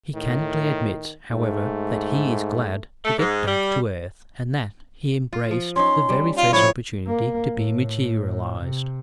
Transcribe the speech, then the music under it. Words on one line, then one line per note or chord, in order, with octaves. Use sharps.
He candidly admits, however, that he is glad to get back to earth and that he embraced the very first opportunity to be materialized.
A2 D#3
G#2 A3
A3
G#2
G3
F4
F3
C#4 D#4 C6
G3
F4
A2 F3 C#5 B5
A#3
A2
C3